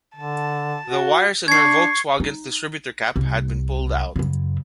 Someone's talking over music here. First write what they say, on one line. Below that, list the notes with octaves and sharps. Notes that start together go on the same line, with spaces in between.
The wires in her Volkswagen's distributor cap had been pulled out.
D3 A5
F#4
D4 C#6 G#6 C7
D#4
C2
F#2 C#3